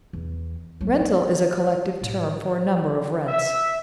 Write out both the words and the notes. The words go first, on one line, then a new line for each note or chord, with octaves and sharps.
Rental is a collective term for a number of rents.
E2
F#3 A#3
A3
A2
E5